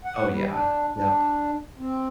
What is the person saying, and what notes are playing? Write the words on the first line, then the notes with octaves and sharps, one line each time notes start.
Oh, yeah. Yep,
F#5
G3
D4
D4
C4